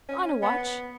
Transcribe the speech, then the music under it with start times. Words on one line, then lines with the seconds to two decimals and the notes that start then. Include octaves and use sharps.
"On a watch."
0.09 C#4
0.43 B3